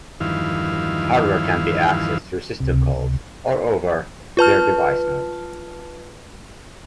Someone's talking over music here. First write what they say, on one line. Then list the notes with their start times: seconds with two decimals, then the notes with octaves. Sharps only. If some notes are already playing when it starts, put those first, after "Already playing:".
Hardware can be accessed through system calls or over their device nodes.
0.20 E2 G2 D#3 F3 E4 F5
2.60 C#2 C3
4.37 F4 B4 A5 F6